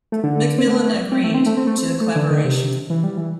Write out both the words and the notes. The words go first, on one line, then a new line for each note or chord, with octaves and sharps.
McMillan agreed to the collaboration.
A3
D3
C4
A3
C4
A3
C4
A3
C4
A3
C4
A3
D3
D3
C3
E3
G3
E3